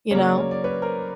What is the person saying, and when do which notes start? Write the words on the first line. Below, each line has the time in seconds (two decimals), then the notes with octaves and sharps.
you know?
0.11 C#3 F#3 A#3 C#5
0.24 D5
0.38 C#5
0.51 D5
0.64 B4 C#5
0.82 A#4 C5